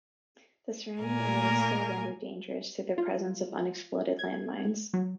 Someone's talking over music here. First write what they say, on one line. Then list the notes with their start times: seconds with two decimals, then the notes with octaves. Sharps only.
The surrounding area is still rendered dangerous through the presence of unexploded land mines.
1.02 A#2 A3 A#3 A#4 G#5
2.98 F4
4.19 G#6
4.94 F#3